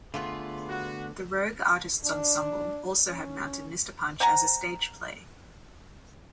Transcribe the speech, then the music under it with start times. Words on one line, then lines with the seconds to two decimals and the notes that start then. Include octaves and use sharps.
The Rogue Artists Ensemble also have mounted Mr. Punch as a stage play.
0.14 D3 A3 B3 F4 G#4 B4
0.69 F#4
2.05 D4
3.09 C#4
4.20 C5 F#5 G#5 A#5